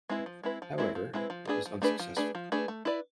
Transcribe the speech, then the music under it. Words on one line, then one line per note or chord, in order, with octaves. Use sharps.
However, it was unsuccessful.
G#3 C4 E4 B4
F3
G#3 C4 E4 B4
F3
G#3 C4 E4 B4
F3
G#3 C4 E4 B4
F3
A3 D4 G#4 B4
F3
A3 D4 G#4 B4
F3
A3 D4 G#4 B4
F3
A3 D4 G#4 B4
A3
E4 B4 D5